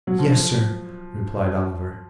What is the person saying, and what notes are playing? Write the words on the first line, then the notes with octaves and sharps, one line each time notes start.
'Yes, sir,' replied Oliver.
F#3
F3